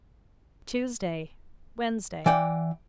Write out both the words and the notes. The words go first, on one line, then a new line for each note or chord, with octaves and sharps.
Tuesday, Wednesday.
E3 D5 F#5 G5